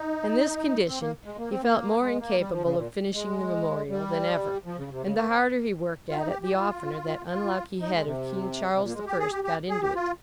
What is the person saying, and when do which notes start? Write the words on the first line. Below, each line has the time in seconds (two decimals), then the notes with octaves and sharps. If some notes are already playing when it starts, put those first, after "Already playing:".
In this condition, he felt more incapable of finishing the Memorial than ever; and the harder he worked at it, the oftener that unlucky head of King Charles the First got into it.
Already playing: D#4
0.87 C4
1.00 A#3
1.25 G#3
1.38 A#3
1.50 C4
1.63 A#3
2.00 G#3
2.20 A#3
2.39 G3
2.51 F3
2.64 C#3
2.76 A#2
3.14 G#3
3.90 G3
4.65 F3
4.78 C#3
4.91 C3
5.03 C#3
5.15 A#3
5.28 C4
6.10 F4
6.17 D#4
6.29 G4
6.42 G4
6.54 F4
7.30 F4
7.80 D#4
7.93 G#3
8.06 C3
8.73 C3
8.81 A#2
8.87 A#3
8.94 G#3
9.06 G4
9.19 G#4
9.31 G4
9.44 G4
9.69 G#4
9.82 G4
9.95 F4